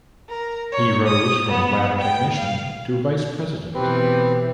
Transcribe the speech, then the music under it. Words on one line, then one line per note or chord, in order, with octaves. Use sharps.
He rose from lab technician to Vice President.
A#4
C#5
D#6
B3
G5
F5
B2 E3 C4 G4 B4